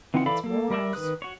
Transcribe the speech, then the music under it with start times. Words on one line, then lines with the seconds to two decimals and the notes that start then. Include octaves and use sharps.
That's Morris.
0.14 E3 C4 D#4 F4 F#5
0.26 E3 A4 D5 F5 B5
0.44 A#3 A4
0.70 G3 A#4 D5 E5
0.93 D#3 B4 D#6 F#6
1.22 F#4 C#5